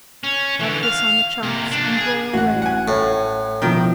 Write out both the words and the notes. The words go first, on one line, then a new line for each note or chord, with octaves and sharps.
Rub this on the chops and broil rare.
C#4
D3 E3
F5
C3 A#3
A#3 D4
G#4
A1 F#4 F#5
F#5 G#5
A2
B2 D#3 F3 E4 A#4 G5